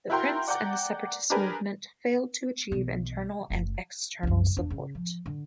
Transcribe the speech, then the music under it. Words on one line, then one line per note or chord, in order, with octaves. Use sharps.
The Prince and the separatist movement failed to achieve internal and external support.
E4 F#4 A#4 G5 A#5 C6
D5 F#5 G5 A#5 D6
D4 G4 G#4 A#4 B4
B1 E3
F#1 A3
C2 F#2
E1 D4
C#3
F3
D3